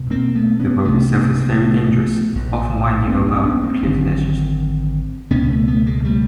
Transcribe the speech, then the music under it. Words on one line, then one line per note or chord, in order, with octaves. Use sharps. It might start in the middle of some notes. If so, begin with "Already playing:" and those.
The road itself is very dangerous, often winding above cliff ledges.
Already playing: C2 B2
A#3 C4
A3 B3
B3 C#4
C2 C3 A3 B3
A3 B3
G#3 A#3
A3 B3
A#1 G#2
A#3 C4
C4 D4
B3 C#4
A#3 C4
G#1 F#2 D3
C#2 B2 B3 C#4
A3 B3
A3 B3
G#3 A#3
G3 A3